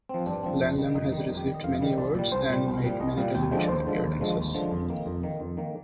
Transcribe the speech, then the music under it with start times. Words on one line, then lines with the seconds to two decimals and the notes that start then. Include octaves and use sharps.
Lang Lang has received many awards and made many television appearances.
0.09 F3 C4
0.26 G2 D4
0.43 F3 C4
0.60 F2
0.78 D#3 G3
0.95 F2 D#4
1.12 D#3 G3
1.29 F2 D#4
1.37 G4
1.47 D#3 G3
1.54 D#5
1.63 F2 F5
1.81 D#3 G3
1.98 C2 D5
2.15 A#2 G3 D5
2.32 C2 C5
2.49 A#2 G3
2.67 C2
2.84 A#2 G3
3.00 C2 D#5
3.17 A#2 G3 F5
3.35 D#2 G5
3.43 G#5
3.51 D3 F3 G#3 G5
3.60 D5
3.68 D#2 C5
3.86 D3 F3 G#3
4.04 D#2
4.20 D3 F3 G#3
4.37 D#2
4.55 D3 F3 G#3
4.72 F2
4.89 D#3 A#3
5.06 F2
5.23 D#3 A#3
5.40 F2
5.57 D#3 A#3